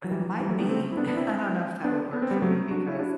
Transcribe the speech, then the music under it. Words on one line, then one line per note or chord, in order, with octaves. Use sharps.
but it might be I don't know if that would work for me because
F#3
E3 G3
E3 G3
F#3 A3
G3 B3
A3 C4
E4
B3 D4
B3 D4
C4 E4
B3 D4
B3
C4
G3 B3
F#3 A3
D4 F#4
E4
D4 F#4